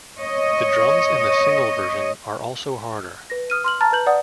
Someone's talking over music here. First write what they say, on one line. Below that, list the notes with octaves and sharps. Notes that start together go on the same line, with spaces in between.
The drums in the single version are also harder.
C#5 D#5
B4 A#6
D#6 F6 D#7
C6 F6 F#7
A5 A#5 F6 A6
B4 G6 F#7
D5 F#5 D#6